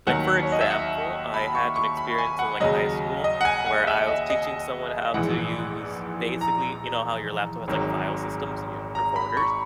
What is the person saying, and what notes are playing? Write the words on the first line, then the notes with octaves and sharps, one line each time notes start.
like, for example, I had an experience in, like, high school where I was teaching someone how to use, basically you know how your laptop has like file systems and you your folders,
D#2 D#3 F#3 F#5
C#5
D#5
E5
F#5
B5
C#6
C#6
B5
G#5
F#5
D#2 C#3 F#3 D#5
D#5
F#5
G#5
F#5
E5
D#5
D#5
A#1 G#2 E3 F#5
A#5
G#1 G#2 D#3 F#3
A#5
B5
C#6